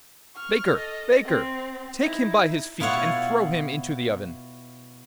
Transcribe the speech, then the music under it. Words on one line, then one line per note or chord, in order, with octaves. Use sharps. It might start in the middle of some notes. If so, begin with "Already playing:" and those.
'Baker, baker, take him by his feet, and throw him into the oven!'
C#6 F6
A4 D#5
C4
D#4 E4
B2 E4 F4 C#5 F#5